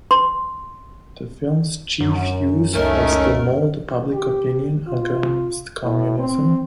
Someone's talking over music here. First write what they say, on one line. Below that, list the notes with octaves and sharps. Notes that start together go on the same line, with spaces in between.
The film's chief use was to mold public opinion against communism.
C6
F#2
C#2 A3 C#4 D#4 A#4
G4
F4
A2
C4